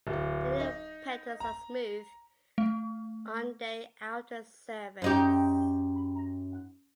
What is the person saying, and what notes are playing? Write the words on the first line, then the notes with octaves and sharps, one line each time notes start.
The inner petals are smooth on their outer surface.
D1
D#4
A#5
A3
F#2 D#4 G4